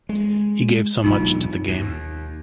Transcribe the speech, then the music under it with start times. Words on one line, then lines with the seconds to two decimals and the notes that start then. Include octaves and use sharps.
He gave so much to the game.
0.09 G#3
1.04 E1 B1 G2 D#4 F4
1.69 D#2